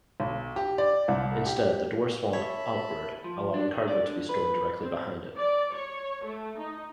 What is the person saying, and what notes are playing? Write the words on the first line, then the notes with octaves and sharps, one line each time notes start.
Instead, the door swung outward, allowing cargo to be stored directly behind it.
B1
G4
D5
C2
G4
C#5 E5 A5 B5
F3
D4
D#3
D5
D3
B4
C4
D5
C#5
A3
D#4